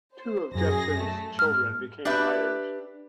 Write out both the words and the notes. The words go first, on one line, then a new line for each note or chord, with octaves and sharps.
Two of Jepson's children became writers.
C5
F#2 G#4 A#6
A3
G#2 F6
D4 G4 B4 E5